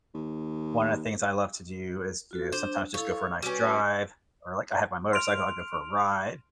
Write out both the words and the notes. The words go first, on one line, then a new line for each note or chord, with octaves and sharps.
one of the things I love to do is, you know, sometimes just go for a nice drive or, like, I have my motorcycle, I go for a ride,
D#2
F4 F#4 A4
D4 C5
E4 A4 C#5 F5
G3 C#4 F#4 B4
C6 F6 D7 F7